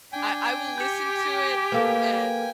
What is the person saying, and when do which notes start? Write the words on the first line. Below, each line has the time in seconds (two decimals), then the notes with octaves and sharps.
I I will listen to it and,
0.12 D4 G5 G#5
0.78 G4 G6 C#7
1.72 A#3 A4 B4 F5